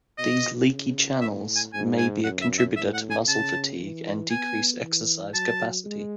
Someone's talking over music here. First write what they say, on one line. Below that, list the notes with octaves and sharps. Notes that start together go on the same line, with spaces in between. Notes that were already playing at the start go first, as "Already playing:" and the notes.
These "leaky" channels may be a contributor to muscle fatigue and decreased exercise capacity.
B2 D#5
C#3
A2 E5
G#5
G#2 G#5
G#5
F#2 F#5
E5
E5
A2 E5
F#5
G#5
C#3 A5
E3
B3 G#5
E3
F#3 A5
G#3